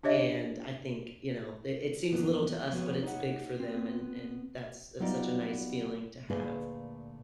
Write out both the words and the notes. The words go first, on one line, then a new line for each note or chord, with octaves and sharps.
and I think, you know, it it seems little to us, but it's big for them, and and that's it's such a nice feeling to have.
D4 G4 C#5 D#5 E5
E3 F3 A#3 B3
F3 B3 C4 F#4 C#5
D#4 C#5 F#5
B3 C4
F#3 G3 B3 D#4 F4 D5
D2 A#2 A3 G#4 B4 F5